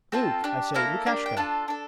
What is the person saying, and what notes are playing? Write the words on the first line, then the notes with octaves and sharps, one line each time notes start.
'Luke, I say, Lukashka!
C4 F4 A4 A5
D4 G4
A#3 E4 A4 A#5
A#3 D4 G4
G5
D4 F4 A4 A5
D4 A4